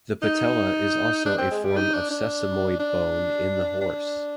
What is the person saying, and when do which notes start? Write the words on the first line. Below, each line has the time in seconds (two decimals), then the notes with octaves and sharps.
The patella is also a form of sesamoid bone in the horse.
0.23 D#4
1.26 D4
1.38 C4
1.51 G#3
1.64 G3
1.77 D#4
1.94 D4
2.11 D4
2.79 D4
3.81 D4